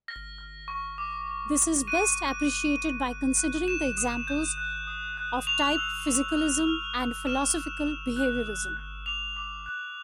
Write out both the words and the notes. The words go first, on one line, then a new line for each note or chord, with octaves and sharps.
This is best appreciated by considering the examples of type physicalism and philosophical behaviorism.
F6 A#6
F6
C#6
D6
D6
D6
F#6 D#7
C#6
F#6
D6
F#6
F#6
G6 E7
D#6
G6
F#6
D#6
F#6
C#6 F7
E6
C#6
F6
F6
F6
F6 E7
F6
F6
F#6
D#6
F#6
D6 F7
D6
F#6